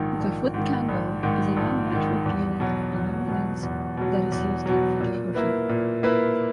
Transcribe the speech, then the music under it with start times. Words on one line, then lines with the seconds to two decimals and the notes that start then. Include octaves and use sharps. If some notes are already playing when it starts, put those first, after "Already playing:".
The foot-candle is a non-metric unit of illuminance that is used in photography.
Already playing: A#1 G#2 D#3
0.20 A#1
0.54 G#2 D#3
0.89 A#1
1.23 G#2 D#3
1.57 A#1
1.91 G#2 D#3
2.26 E2
2.60 B2 F#3
2.94 E2
3.28 B2 F#3
3.63 E2
3.97 B2 F#3
4.32 E2
4.66 B2 F#3
5.01 A#2
5.35 A#3 E4 B4
5.69 A#2
6.03 A#3 E4 B4